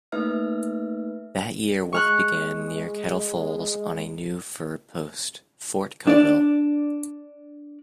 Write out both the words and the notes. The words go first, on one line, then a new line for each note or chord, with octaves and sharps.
That year work began near Kettle Falls on a new fur post, Fort Colvile.
A3 A#3 D#4 B4 E5 F6
G#3 C#6 F6 F#6
D4 D5